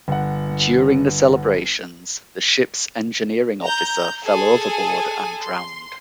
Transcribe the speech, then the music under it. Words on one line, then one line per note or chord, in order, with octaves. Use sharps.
During the celebrations, the ship's engineering officer fell overboard and drowned.
G1 F#5
A#5 G6
G#4 A4 G#5
C6